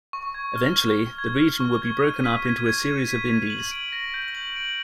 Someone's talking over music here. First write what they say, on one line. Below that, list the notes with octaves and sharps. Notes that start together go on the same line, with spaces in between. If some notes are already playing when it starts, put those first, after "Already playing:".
Eventually, the region would be broken up into a series of Indies.
C#6
G#6
F6
C#6
C#6
G#6
F6
C#6
G#6
D#7
B6
G#6
G#6
D#7
B6
G#6
F#7
D7
A#6
G6
F#7
D7